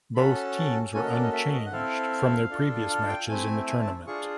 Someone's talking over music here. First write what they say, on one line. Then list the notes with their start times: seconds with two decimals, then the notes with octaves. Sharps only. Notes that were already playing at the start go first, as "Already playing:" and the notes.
Both teams were unchanged from their previous matches in the tournament.
0.15 C#4 F#4 A4 B5
0.35 A5
0.94 A#3 C#4 F#4 A4 G#5
1.04 D#5
1.13 D5
1.23 D#5
1.33 E5
1.53 D#5
1.66 F#5
1.72 C4 E4 A4 F5
2.50 D4 F4 A4
2.90 F5
3.09 G5
3.29 A3 C4 E4 G#5
3.68 G#5
3.81 A5
4.07 D4 F4 G#4 C#6